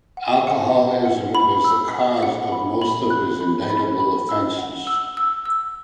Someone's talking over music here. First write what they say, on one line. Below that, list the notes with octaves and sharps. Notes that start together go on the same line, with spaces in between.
Alcoholism was the cause of most of his indictable offences.
F#5
F#5
F#5
F#5
B5
E6
F#5
F#5
B5
B5
F#6
B5
B5
B5
E6
F#5
E6
E6
E6